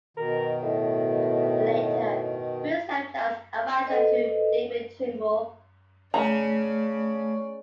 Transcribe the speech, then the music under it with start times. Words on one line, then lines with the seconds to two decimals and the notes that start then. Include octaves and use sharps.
Later, Bew served as an adviser to David Trimble.
0.17 B2 D#3 A#4
0.63 A2
3.87 A4 B4 C5 D#5
6.14 C#3 A3 D5 A#5